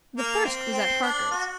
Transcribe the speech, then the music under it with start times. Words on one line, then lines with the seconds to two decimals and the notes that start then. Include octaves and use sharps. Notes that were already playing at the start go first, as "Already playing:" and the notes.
The first was at Harker's.
0.17 A#3
0.45 C4
0.74 C4
1.03 D4
1.31 F#4